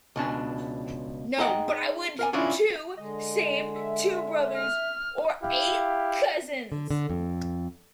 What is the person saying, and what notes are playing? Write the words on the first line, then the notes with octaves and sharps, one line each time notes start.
No, but I would to save two brothers or eight cousins.
C#2 B2 D4 G#5
D#4 G#4 D#5 F#5 G5
A#4 F5 G#5
C#4 D4 E4 F4 G#4 D5
D3 G#3 D#5
E5
F6
E4 G4 F5
D3
D3
F2